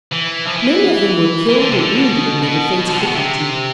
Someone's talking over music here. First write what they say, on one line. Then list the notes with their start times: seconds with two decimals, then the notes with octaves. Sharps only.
Many of them were killed or wounded in the defence of the country.
0.12 E3
0.47 F3
0.57 E3
1.49 E3
1.60 D3
1.70 C3
1.79 D3
1.96 B2
2.42 B2
2.88 D3
2.97 C3
3.07 B2
3.15 C3